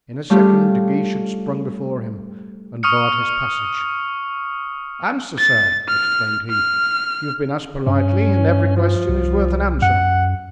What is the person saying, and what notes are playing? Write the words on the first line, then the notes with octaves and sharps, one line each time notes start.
In a second De Guiche had sprung before him and barred his passage. "Answer, sir," exclaimed he; "you have been asked politely, and every question is worth an answer."
G3 A3 C#4 F4 G4 G#4
C#6 D#6 F6 C#7
A6
F6
F6
G2 C#4
F3
C2
F#2 F#5